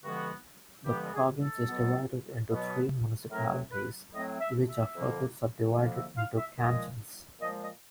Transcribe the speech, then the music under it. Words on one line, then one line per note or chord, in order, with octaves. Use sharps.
The province is divided into three municipalities which are further subdivided into cantons.
G2 D3 F3 G#3 B3 F#4
G2 D3 F3 G#3 B3 G4
G#4
A4
B2 F#3 B3
B2 F#3 B3
A2 F#3 A3 C4 A#4
B4
A2 F#3 A3 C4 D#5
E5
E5
F2 D3 F3 A#3
F2 D3 F3 A#3 F5
E5
F5
E5
A#2 F3 G#3 D#5
A#2 F3 G#3 D#5
D#5